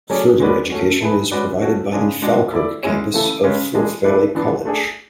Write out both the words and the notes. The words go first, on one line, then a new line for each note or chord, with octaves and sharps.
Further education is provided by the Falkirk campus of Forth Valley College.
F#3 A3 C#4 G#4 D5
G#3 C#4 F#4 B4 D5
A3 C#4 F#4
A3 E4 G#4 B4
G#3 C#4 F#4 B4 D5
A3 C#4 F#4
C#3 G#3 D4 G#4
G#3 D4 F#4
A3 E4 A4 D5
G#3 C#4 E4 G#4 C#5
C#3 E3 A3 E4 A4
C#3 G#3 C#4
E3 G#3 D4 G#4
A3 E4 B4 D5
E3 B3 D4
A3 D4 G#4